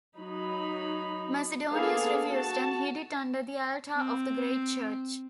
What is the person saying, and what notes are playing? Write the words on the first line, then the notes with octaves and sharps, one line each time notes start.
Macedonius refused, and hid it under the altar of the great church.
F#3 D#4 B5
A#3 B3 D4 G#4 A4 F5
F#4 A5
C4